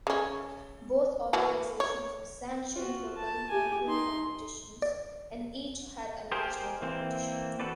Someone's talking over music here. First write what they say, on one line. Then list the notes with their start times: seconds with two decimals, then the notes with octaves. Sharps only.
Both organizations sanctioned local homebrew competitions, and each had a national competition.
0.07 C#3 C#4
1.33 E3 A#3 F#4
1.80 C#5
2.74 F4 F#4
3.16 A5
3.50 G4 G#5
3.86 D#4 C6
4.82 D5
6.31 G4 G#4 A#4 C5
6.82 E3 A#3 C4 C5
7.60 F#4 A4 B4 D5